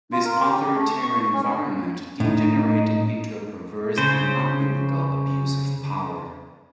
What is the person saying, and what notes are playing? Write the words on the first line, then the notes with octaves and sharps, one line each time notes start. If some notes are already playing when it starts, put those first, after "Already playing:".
This authoritarian environment degenerated into a perverse and unbiblical abuse of power.
F4
A#4
G4
G4
A3
C#6
C#6
C#6
C#4
A2 D#4
C#3 C5